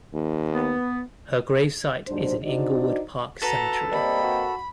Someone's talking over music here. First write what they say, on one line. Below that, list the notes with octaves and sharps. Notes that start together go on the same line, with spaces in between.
Her gravesite is in Inglewood Park Cemetery.
D#2
B3
D#2 G#2 F#3 D4 C5
D4 D#4 F#4 C5 D5 D#5
F#4 A4 B4 A#5
G3 A#3 C4 D#4 B5
F#4